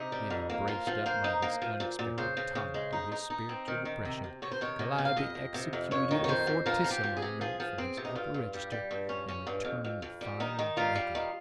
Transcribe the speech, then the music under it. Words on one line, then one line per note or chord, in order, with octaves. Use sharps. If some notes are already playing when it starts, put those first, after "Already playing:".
Feeling braced up by this unexpected tonic to his spiritual depression, Calliope executed a fortissimo note from his upper register, and returned the fire like an echo.
Already playing: C3 D#4
G3
F2
A#3
F3 F4
F3
A#3 C5
D#4
A#3
F3
A#2
A#2
C#3 C5
C#3
C#3
G#3
D#4
D#4
D#4
C4
D#3
D#3
C3
C3
C3 C#5
C5
D#3 C#5
C3
C3
F5
F2 D#5
F2
C3
F2
F2 C#5
D#3
C#5
F2 C5
F2
F3 A#4
F3
G4
F3
G#4
C3
F3 G#4
F3
C4
C3
D#4
G2 F4
G2
G3
G3
G2
C#4
C#4
G2
F2
F2
F2
G3
D#3 D#4
D#3
G3 F4
G3
D#3